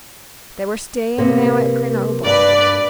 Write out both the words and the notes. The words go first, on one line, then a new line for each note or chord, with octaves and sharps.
They were staying now at Grenoble.
C3 A#3 B3
G2 B4 D5